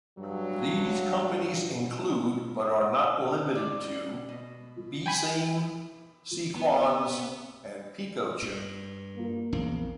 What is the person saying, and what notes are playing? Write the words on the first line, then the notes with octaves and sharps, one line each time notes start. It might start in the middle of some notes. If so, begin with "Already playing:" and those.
These companies include, but are not limited to, Beceem, Sequans, and PicoChip.
G2 F#3
C4 D5
B2
G5 G#5 B5
B3
G2
A#3
A#1 E2 C4